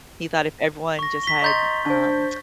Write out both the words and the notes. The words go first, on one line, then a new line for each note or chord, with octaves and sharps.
He thought if everyone just had, um,
C#6 A#6
B6 G7
D#5 A#5 C6 C#6 G6 A6
D4 C5